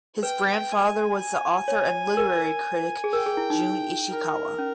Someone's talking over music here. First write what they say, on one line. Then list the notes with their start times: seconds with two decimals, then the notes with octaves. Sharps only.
His grandfather was the author and literary critic Jun Ishikawa.
0.23 B4 G5
0.72 G#5
1.20 G#5
1.68 C#5
2.17 A#4
3.04 G#4
3.13 A#4 G5
3.26 G#4
3.37 E4
3.50 D#4
4.10 A#4
4.58 C#4